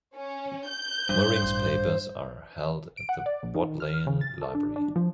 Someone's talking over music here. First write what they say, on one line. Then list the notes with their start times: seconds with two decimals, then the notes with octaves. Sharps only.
Mooring's papers are held at the Bodleian Library.
0.16 C#4
0.68 G6
1.09 G2 C#4 C5
1.42 A1
2.97 D7
3.09 F#5
3.26 D5
3.43 A#1
3.54 D#3
3.80 F6
4.07 C#3
4.21 A6
4.42 A4
4.55 D4
4.76 D4
4.96 F3